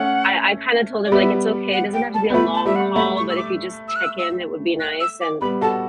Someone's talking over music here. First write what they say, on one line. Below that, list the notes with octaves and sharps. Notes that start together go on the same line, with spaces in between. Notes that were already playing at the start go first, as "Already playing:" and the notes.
I I kinda told him, like, "It's okay, it doesn't have to be a long call, but if you just check in, it would be nice," and
Already playing: A3 C#4 F#5
D5
G3 B3 E5
F#5
G5
A5
B3
A3 B5
A5
G3 E5
F#5
A3 B5
C#6
E6
D6
E6
F#6
E6
E6
F#6
E6
D6
G3 B3 B5
F#4 A4 A5